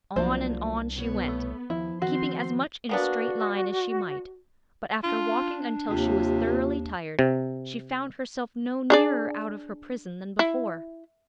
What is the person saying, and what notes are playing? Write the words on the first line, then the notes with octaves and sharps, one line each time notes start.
On and on she went, keeping as much in a straight line as she might, but after walking until she was thoroughly tired, she found herself no nearer out of her prison than before.
C2 F3 F#3 A#3 D4 C5
B2 B3 C#5
A3
D#2 F3 E4
D#3 C4 F#4 C6
A#3 B3 D4 F#4
D4 F4
D#2 C3 F4
C3
D4 G#4 D5
E4